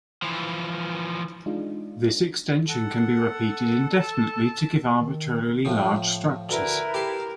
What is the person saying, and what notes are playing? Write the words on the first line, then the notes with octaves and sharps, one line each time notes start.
This extension can be repeated indefinitely, to give arbitrarily large structures.
E3 F3
G#3 D4 D#4 F4
A4 F#5
A5
D#3
A2 F3
D2 E4 A#4 B4
G4 A4 C6